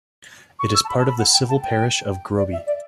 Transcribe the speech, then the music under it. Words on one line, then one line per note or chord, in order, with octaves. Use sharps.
It is part of the civil parish of Groby.
C#6
E6
A5
B5
A5
B5
F#5
G5
A5
G5
D5
E5
D5